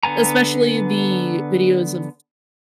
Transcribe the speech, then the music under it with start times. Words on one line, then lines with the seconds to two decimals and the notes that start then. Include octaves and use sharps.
especially the videos of
0.03 D3 B3 G#5 A#5